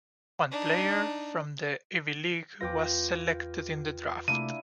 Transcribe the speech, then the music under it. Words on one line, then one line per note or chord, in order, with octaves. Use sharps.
One player from the Ivy League was selected in the draft.
D4 D#4
E2 F4 B4 G5 D6 A#6
C3 A3 A#3 D4 E4 D#7